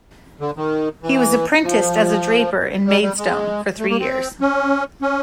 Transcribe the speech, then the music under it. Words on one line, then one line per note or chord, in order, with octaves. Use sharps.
He was apprenticed as a draper in Maidstone for three years.
D3
D#3
E3
F3
G3
G3
G#3
A3
A#3
C4
C#4
C#4